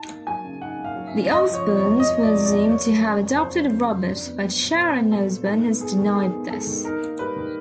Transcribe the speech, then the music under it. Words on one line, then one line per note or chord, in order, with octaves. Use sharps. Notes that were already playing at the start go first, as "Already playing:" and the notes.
The Osbournes were assumed to have adopted Robert, but Sharon Osbourne has denied this.
Already playing: D#4 A5
A#3
F#3 G#5
C#3
D#4 F#5
A#3
F5
F#3
E5
C#3
A3 D#5
F3
C#5
C3
C#5
E2
A3 D#5
F3
D5
C3
D5
E2
A#3 C#5
F#3
C#3
F2
A#3 C5
F#3
C#3
F2
D4
B3
F#3
A#2
D4 C5
B3
F#3 A4
A#2
D#4 A4
B3
G#3 G#4
D#3
D#4 G#4
B3
G#3 A4
D#3
D#4 A#4
A#3
G3 B4
D#3